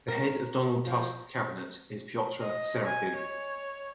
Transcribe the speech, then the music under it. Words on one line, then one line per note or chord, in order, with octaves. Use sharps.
The head of Donald Tusk's cabinet is Piotr Serafin.
A#4
F3
D#5
G#5
C#5